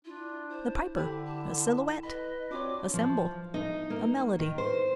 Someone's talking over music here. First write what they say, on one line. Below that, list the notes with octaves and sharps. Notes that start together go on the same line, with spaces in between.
The Piper--a silhouette--a symbol--a melody.
D4 E4 F4
C5
D3 G4 A4 G5 B5
A5
B4 D#5 B5
C4 D4 F4 F#4 C#5 D6
F3
D#4
A#3
D#3
C5